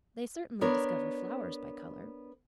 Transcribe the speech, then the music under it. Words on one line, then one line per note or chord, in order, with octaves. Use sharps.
They certainly discover flowers by colour.
B3 D4 A#4 C#5